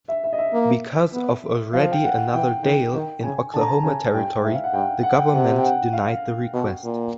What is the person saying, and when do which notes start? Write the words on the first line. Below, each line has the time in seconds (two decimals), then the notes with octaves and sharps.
Because of already another "Dail" in Oklahoma Territory, the government denied the request.
0.08 E5
0.24 E5
0.33 D#5
0.38 E5
0.53 A#3
1.14 B3
1.73 F3 F5
1.92 G5
2.04 F#5
2.33 E3 G5
2.63 D#3 G5
2.94 D#3 G5
3.23 C#3 G#5
3.54 D3 A5
3.60 A#5
3.68 A5
3.83 C#3 G#5
4.13 G2 G5
4.43 G#2 E5
4.54 F5
4.64 F#5
4.73 G2 G5
5.03 F#5
5.19 G5
5.33 C3 F#5
5.58 G5
5.63 F#5
5.93 F5
6.53 B2
6.84 A#2